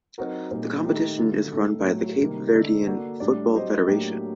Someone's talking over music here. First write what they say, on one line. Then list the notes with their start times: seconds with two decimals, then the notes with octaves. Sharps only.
The competition is run by the Cape Verdean Football Federation.
0.18 F#3 C4 D#4 F#4 A#4
0.51 A#2 G3 C4 D#4
0.85 D#3 A3 D#4 G4
1.18 D3 F#3 A3
1.52 A2 A3 D#4 A4
1.86 A2 F#3 A3
2.19 C3 D#3 G3 A#3
2.53 D3 A3 D#4 A4 D5
2.87 A#3 F#4 A4 D5
3.20 A2 G3 D4 G4 D5
3.54 F#3 C4 G4 C5 D#5
3.87 A2 F#3 A#3 D4 G4